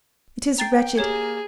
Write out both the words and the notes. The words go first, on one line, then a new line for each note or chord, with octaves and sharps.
It is wretched.
G5 A#5 A6 C7
A#3 G4 G#4 C#5 G#6